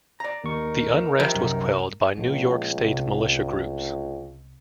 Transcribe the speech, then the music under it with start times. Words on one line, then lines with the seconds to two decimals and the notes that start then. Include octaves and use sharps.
The unrest was quelled by New York State militia groups.
0.20 D5 A#5
0.44 D#2 D#4 A#4 C#6
1.20 C3 F3
1.34 C2 F#2
2.17 C#2 A#2 F3
2.78 C2 C#4